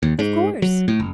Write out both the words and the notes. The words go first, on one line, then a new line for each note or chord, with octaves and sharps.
"Of course."
D#2
G#2
F#3
A2
F#1